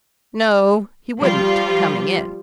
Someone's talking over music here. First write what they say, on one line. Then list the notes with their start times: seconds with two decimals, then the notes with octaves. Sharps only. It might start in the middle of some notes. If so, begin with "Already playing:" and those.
"No, he wouldn't, coming in."
1.20 F3 G3 F4